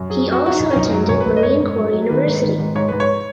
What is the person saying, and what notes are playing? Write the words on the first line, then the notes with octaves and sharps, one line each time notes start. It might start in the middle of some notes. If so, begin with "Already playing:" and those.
He also attended Marine Corps University.
Already playing: F#2
F#3 G#4
F#3
F#4
F#3 F#4
D#4
F#2
C#4
F#2 D#4
F#3
F#2 C#5
B4
F#2
D#5
G#2 C#5
G#2
F#3
F#3
D#3 B4
G#2
D#3
G#2
G#2 C#5
G#2 B4
C#5